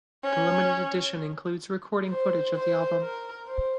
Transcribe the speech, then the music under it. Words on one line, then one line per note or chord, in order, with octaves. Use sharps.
The limited edition includes recording footage of the album.
C#4
C5
C5
A#4
C5